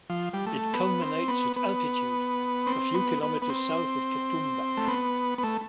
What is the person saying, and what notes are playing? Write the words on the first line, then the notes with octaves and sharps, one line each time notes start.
It culminates at altitude, a few kilometers south of Katoomba.
F3
G3
A3
B3
C4
B3
B3
C4
B3
B3
B3
C4
A3
B3
B3
A3